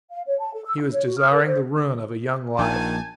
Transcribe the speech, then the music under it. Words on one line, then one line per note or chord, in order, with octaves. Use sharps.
He was desiring the ruin of a young life.
F5
C#5
A5
A4
E6
E4
C#5
F#4
F6
A#4
C5
A#1 D#3 G#5 A5